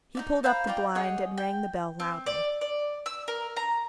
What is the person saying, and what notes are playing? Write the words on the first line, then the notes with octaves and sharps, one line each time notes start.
He pulled up the blind and rang the bell loudly.
D#4 E4 D5
C5 F5 A#5 B5
D#4 F4 D5 G5
G#4 C#5 D#5 F#5
G5
C4
D5
D5
E6
A#4
A#5